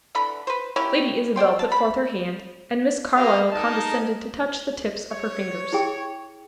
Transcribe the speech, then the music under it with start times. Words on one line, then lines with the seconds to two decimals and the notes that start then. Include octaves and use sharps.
Lady Isabel put forth her hand, and Miss Carlyle condescended to touch the tips of her fingers.
0.15 D3 E3 A4 B5
0.47 B4 C5
0.76 A#3 C#4 E4 G4
1.36 C5 D5 G5 C6
1.59 A5
1.72 B5
3.16 A#3 B3 G4 D#5 F5
3.53 D#4 G#4 A#4 D#5 A5
5.11 C#5
5.72 E4 G#4 G5